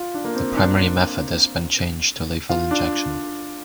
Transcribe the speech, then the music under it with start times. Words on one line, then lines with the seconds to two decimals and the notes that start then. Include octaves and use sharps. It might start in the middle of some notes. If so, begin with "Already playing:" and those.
The primary method has been changed to lethal injection.
Already playing: F4
0.14 D4
0.24 A#3
0.35 C4
0.57 D4
2.49 F4
2.71 D4